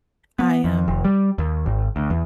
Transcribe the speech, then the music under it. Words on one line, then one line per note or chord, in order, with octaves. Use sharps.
I, um
B3
F2
F1
G3
D#2
G#1
D2
E2